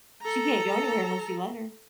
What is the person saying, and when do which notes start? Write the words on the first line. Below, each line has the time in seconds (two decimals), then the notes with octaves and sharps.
she can't go anywhere unless you let her.
0.22 A4 A#5